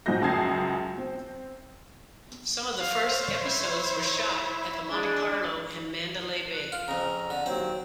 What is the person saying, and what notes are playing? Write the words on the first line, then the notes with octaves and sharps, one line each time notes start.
Some of the first episodes were shot at the Monte Carlo and Mandalay Bay.
G#2 F3 D#4 F#4 G6 A#6
C#2 F#2 A5 D#6 G#6 C7
C4
C5 C#5 F5
E4
G#3 D4 G#4
F#6
F4
F2 C#3 A#5
D3
D#2 F#3 C4